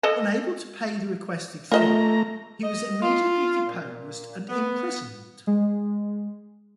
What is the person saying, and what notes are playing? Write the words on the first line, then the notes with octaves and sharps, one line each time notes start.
Unable to pay the requested fee, he was immediately deposed and imprisoned.
A4 D#5 A5
A3 F4 D#5 E5 A#5
D#5
F4
A#2
B3
G#3